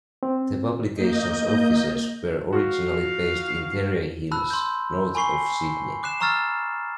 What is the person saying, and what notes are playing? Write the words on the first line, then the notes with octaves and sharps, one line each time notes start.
The publication's offices were originally based in Terrey Hills north of Sydney.
C4
A#3 D#5 G6
F#4 F5
A5 B5 E6 F#6
C6 G6
G#5 B5 C#6 C7 G7
D6 F#6 C7 E7
A#5 C#6 E6 F6 A6